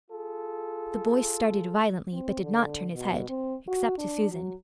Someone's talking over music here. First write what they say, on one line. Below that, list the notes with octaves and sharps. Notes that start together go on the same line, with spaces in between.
The boy started violently, but did not turn his head--except to Susan.
F4 G#4 A4
C4
D3
B2
C4
F#4
D4
F#3